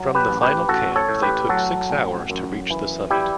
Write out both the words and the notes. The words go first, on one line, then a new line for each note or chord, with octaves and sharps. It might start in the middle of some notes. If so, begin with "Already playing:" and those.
From the final camp they took six hours to reach the summit.
Already playing: F#3
G4 B4
A1
G4 B4
A1 F#4 A4
A4 C#5
A2
G4 B4
F#3 F#4 A4
A1
F#2
E3
G3 E4 G4